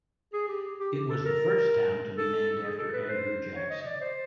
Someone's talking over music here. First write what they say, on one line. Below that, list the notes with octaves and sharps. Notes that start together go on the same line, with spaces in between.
It was the first town to be named after Andrew Jackson.
G#4
G4
G4
A4
A#4
A4
G#4
A4
B4
C5
C#5
D#5
D#5
D5
C5